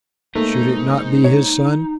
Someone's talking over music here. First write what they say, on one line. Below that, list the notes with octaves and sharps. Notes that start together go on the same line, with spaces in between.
Should it not be his son?
G#2 A3 A#3 D#4
C#5